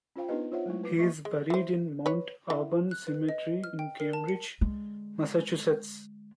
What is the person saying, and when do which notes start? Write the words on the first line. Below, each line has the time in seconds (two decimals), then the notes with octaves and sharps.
He is buried in Mount Auburn Cemetery in Cambridge, Massachusetts.
0.16 C#4 F4 C5 F5 G5
0.28 B3 D4 D#4 G4 B4 D#5
0.52 F4 C5 C#5 E5 F#5
0.66 F#3 G#3 A3 E4
0.83 B4 D6
0.99 A#3 G4 D#5 E5 C#6
1.25 G#3
1.50 E3 C5
2.06 B4 C#5
2.50 E3
2.91 F#6
3.07 B4
3.29 D#5
3.64 F6
3.79 G5
4.00 A#4
4.13 A5
4.29 C#7
4.61 D3 G#3